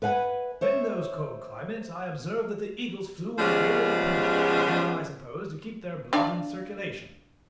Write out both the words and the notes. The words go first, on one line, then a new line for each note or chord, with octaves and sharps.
In those cold climates I observed that the eagles flew with greater rapidity, in order, I suppose, to keep their blood in circulation.
B4 E5 F#5 G#5
C5 C#5 E5
C#3 F3 G3 G#3 B3 C#4
D4 D5 F5